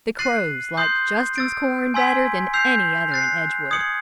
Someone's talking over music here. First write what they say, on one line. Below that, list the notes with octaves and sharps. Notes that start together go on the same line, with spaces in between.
The crows liked Justin's corn better than any other in Edgewood.
F#6 A6 C7 D#7 F#7
C6 D#6 G6 C7
E6 A6 D7
G#5 C6 E6 G#6 B6
E6 G6 C7 F7
F#6 A6 C7
D#6 G#6 C#7 F#7